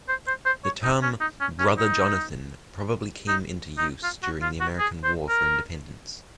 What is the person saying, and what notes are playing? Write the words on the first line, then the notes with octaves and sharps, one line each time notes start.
The term "Brother Jonathan" probably came into use during the American War for Independence.
C5
C5
C5
C#5
D#4
C#4
D#4
C#4
C#4
D#4
D#4
D#4
F4
F#4
F4
F#4
G#4
C5
A#4